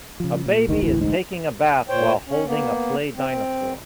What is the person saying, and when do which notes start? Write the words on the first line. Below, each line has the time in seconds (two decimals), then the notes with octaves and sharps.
A baby is taking a bath while holding a play dinosaur.
0.20 C#3 F3
0.46 A#2
0.68 F1 D2 D3 D#3
0.82 E1 A1 D2 E3
1.01 G#2
1.89 A#2 C5 C#5 G5
2.27 C#4
2.45 A#3 B3
3.16 C4